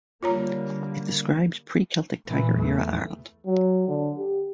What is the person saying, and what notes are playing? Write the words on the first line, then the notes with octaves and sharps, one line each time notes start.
It describes pre-Celtic Tiger era Ireland.
D3 G3 A#3 F4 C#5 A#5
A#2 E3
E2 A3
F#3
D3
G4